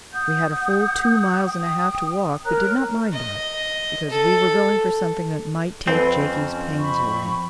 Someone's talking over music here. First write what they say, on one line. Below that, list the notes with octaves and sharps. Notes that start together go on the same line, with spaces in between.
We had a full two miles and a half to walk, but did not mind that, because we were going for something that might take Jakie's pains away.
F#5 D#6 G6
G5 D#6
A#4 C#5 A#5 F#6
D#5
A4
F2 C4 A4 B4 G#5
C#4
B5 C#6